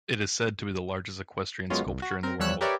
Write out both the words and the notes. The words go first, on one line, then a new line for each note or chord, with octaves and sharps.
It is said to be the largest equestrian sculpture in the world.
F#2 G#3 B3 C#4 F4
C2
F#4
C4 A#4
E2 F3 G3 C#5 E6 F#6
G4 A#4 B4 C#5 D5 E5